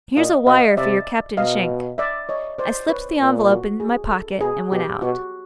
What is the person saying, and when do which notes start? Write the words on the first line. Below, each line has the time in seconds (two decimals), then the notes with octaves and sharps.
'Here's a wire for your Captain Schenk.' I slipped the envelope in my pocket and went out.
0.17 A#2 D#5 F5
0.47 B2 D#5 F5
0.77 C3 D5 E5
1.37 B2 D#5 F5
1.98 D5 E5
2.29 C#5 D#5
2.59 C5 D5
2.89 B4 C#5
3.20 A#2 C5
3.51 F#4
3.80 G#4
4.10 A4
4.41 B2 G#4
4.72 B2 G4
5.02 B2 F#4